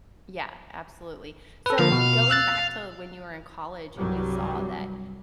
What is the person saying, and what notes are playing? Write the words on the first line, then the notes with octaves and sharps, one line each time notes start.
Yeah, absolutely. So, going back to when you were in college and you saw that,
A4 B4
D3 F3 A#3 F5
B2
E6 F#6 A6
C2 G2 F#3 G3